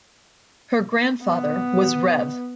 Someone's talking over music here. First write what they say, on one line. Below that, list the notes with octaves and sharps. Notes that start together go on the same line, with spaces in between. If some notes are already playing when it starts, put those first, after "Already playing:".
Her grandfather was Rev.
B3